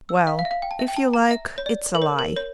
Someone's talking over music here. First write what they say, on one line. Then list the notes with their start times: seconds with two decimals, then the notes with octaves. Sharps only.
Well, if you like, it's a lie.
0.09 E6
0.27 F5
0.39 F5
0.45 E5
0.51 F5
0.62 G5
0.71 A5
0.79 E5
0.88 G5
0.97 A5
1.14 A#5
1.31 E5
1.58 C#5
1.66 D5
1.95 A#4
2.02 C#5
2.19 A#4
2.36 C#5